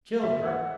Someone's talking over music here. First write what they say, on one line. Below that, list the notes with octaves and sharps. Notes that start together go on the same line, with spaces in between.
Kill her!
A#3 E5
F#5